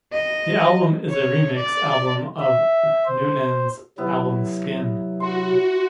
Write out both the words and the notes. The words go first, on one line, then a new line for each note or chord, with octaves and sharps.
The album is a remix album of Noonan's album "Skin".
D#5
C#5
D5
E5
C5
C3 F#3 B3 E4
F#4 C6